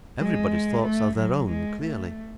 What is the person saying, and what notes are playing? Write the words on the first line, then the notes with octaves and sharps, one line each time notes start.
Everybody's thoughts are their own, clearly.'
G#3
A3
F#3
G#3
A3